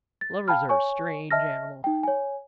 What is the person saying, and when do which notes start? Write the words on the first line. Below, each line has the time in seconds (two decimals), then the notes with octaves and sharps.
Lovers are a strange animal.
0.21 A6
0.48 F5 G5 A5 B5 F6
0.69 C#5 G#5 C#6
1.31 D#5 E5 A5 F6 A#6
1.84 D#4 G5
2.03 C#5 G#5